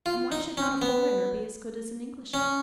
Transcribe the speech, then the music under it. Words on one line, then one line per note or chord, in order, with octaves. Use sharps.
And why should not a foreigner be as good as an Englishman?
F4
D#4
C#4
B3
C#4